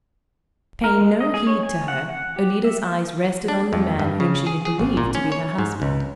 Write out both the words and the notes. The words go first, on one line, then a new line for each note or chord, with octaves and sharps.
Paying no heed to her, Alida's eyes rested on the man whom she had believed to be her husband.
A#4
G#3
D#5
G#4
C#5
G#5
F#5
F#5
G4
E5
D4
F2
G2
C#3
G#4
G#4
G#1
A#2
C#4
C#5
G#2
C#2